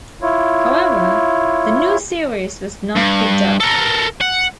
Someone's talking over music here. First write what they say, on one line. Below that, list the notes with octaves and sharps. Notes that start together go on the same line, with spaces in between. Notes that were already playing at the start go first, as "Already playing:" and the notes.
However, the new series was not picked up.
E4 F4 C#5
G2
A4 A#4
F#5